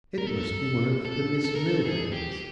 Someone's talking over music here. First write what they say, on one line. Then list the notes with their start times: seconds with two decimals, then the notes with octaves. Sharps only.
'It must be one of the Miss Milvains.
0.18 A#4
0.27 A4
1.06 A4
1.45 A4
1.56 A#4
1.67 A4
1.86 G#4
2.12 G4